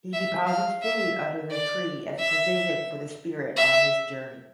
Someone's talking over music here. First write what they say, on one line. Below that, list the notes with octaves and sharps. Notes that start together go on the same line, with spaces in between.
He deposits food under the tree as provision for the spirit on his journey.
E5
F5
E5
D5
E5
E5